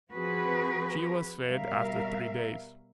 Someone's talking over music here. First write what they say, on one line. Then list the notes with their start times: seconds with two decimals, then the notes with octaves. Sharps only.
She was fed after three days.
0.10 F3 C4 F#4 G#4 B4
1.48 B2 G3 A#4 E5 F5